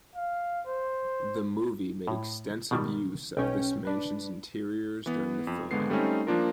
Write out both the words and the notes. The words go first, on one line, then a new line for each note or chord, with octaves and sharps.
The movie made extensive use of this mansion's interiors during the filming.
F5
C5
A2
B2 D#3 G3
B1 C#4 G5
D4 B4
E3 B3
F2
G#1 D3 G#3 B3 C7
G3 A3 C4 C#4 D#4
F3 A#3 D4 F4 A#4